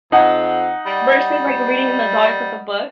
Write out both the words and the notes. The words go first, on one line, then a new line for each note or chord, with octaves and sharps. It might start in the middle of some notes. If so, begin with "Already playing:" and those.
Versus, like, reading in the dark with a book,
F2 D#4 F#5
G3